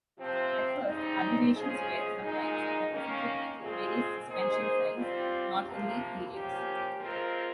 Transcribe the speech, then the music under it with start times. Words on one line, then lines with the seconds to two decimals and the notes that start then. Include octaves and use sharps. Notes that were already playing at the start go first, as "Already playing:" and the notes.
At first, abbreviations were sometimes represented with various suspension signs, not only periods.
0.18 C3 F3 C4
0.85 C#3 G3 C4 D#4
1.54 F3 G#3 C#4 G#4
2.22 A#2 G#3 D#4
2.91 D#3 A#3 C#4
3.59 A#2 G#3 C4 F4 G#4
4.27 A#3 D#4 G#4 C5
4.95 G3 C4 F4
5.64 C3 F3 A#3
6.32 F3 A#3 C#4 G4
7.01 F3 G#3 C4 F4 A#4